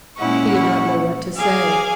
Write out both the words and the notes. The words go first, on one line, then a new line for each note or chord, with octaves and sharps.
He did not know what to say.
A#2 G#3 C#4 E4 F#5 C#6
G#4 F5 G#5 D6